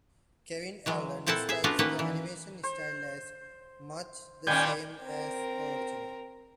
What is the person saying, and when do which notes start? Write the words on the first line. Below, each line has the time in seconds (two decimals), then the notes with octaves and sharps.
Kevin Eldon describes the animation style as 'much the same as the original'.
0.86 E3 F#3 G#3
1.26 A#2 C4 E4 A4 F#5 A5
1.49 G#4 E5
1.64 A3 B3 C#4 D4 F4 F#4
1.79 D#3 A#3 C#4 B4 D#5 F#5
1.99 E3
2.63 C5
4.47 A#2 D#3 G3 C#4 G5 G#5
5.03 C4 A#4